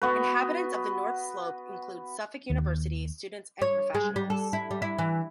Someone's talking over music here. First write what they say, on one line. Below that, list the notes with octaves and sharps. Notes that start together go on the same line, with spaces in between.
Inhabitants of the north slope include Suffolk University students and professionals.
B3 F#4 B4
D#2
C#5
G#3
G3
A4
E4
G3
E4
E3